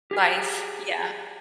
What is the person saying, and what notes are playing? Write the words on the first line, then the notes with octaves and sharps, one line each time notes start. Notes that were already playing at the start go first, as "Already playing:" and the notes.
Life. Yeah.
G4 G#4